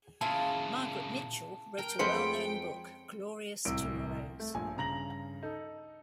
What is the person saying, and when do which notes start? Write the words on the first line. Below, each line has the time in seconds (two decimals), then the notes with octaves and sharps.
Margaret Mitchell wrote a well known book, "Glorious Tomorrows".
0.21 A#2 C#3 E4 F4 G#4 A5
1.78 A#4 G5
1.99 F2 F#3 G#3 B4 C5 B5 C#7
3.65 D1 C2 C3 E6 D7
4.40 A3
4.54 A#1 G2 G#5
4.76 G2 C#3 A#5 A#6 F#7
5.43 D#4 A4